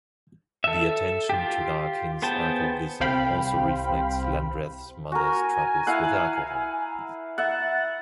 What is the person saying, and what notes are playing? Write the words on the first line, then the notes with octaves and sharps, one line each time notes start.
The attention to Larkin's alcoholism also reflects Landreth's mother's troubles with alcohol.
A4 E5
F4 G4
B3 G#4 C5 G5 A5
C2 C3 C5 F5 G5 B5
F#4 A#4 G#5
E4 F5 F#5
E5 F#5 A6